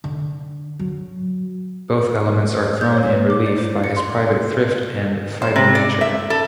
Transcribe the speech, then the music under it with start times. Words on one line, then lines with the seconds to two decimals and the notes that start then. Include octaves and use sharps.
Both elements are thrown in relief by his private thrift and fighting nature.
0.04 D3
0.79 F#3
2.81 G6
2.92 C#5
3.12 B4
3.30 D6
3.46 D5
3.58 C5
3.84 C#7
3.97 C6
5.42 C5
5.56 C3
5.75 D5
6.01 E5
6.30 A4